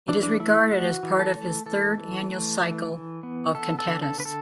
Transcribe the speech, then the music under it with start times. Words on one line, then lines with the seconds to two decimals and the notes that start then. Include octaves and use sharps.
It is regarded as part of his third annual cycle of cantatas.
0.08 E3 D4
0.23 D4
0.40 A3 E4
0.71 E3 F#4
1.03 E3
1.19 A4
1.35 A3
1.66 E3 A4
1.98 E3
2.29 A3
2.60 E3
2.92 E3
3.23 B3
3.55 B3 A4
3.79 A4
3.87 D3
4.02 A4
4.18 D3 B4
4.25 A4